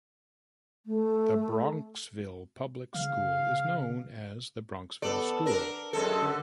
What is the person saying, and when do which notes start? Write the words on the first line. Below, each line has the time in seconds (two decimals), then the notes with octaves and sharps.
The Bronxville Public School is known as The Bronxville School.
0.86 A3
2.94 C#3 F5
5.02 B3 A4 D5
5.46 D4 A#4
5.93 F#2 G#3 A4
6.21 D3